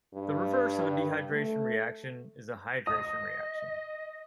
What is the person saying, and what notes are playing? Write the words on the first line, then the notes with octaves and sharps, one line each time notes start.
The reverse of a dehydration reaction is a hydration reaction.
G2
A3
D#5 D#6